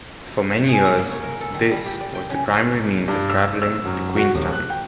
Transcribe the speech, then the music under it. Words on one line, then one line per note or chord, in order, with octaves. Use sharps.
For many years, this was the primary means of travelling to Queenstown.
G#4
A#5
A#3
C#5
A#4
A4
D#3
G3
G4
D5
G5
C#3
G2
E6
E6
F#2
F#4
D#1
F#6
G5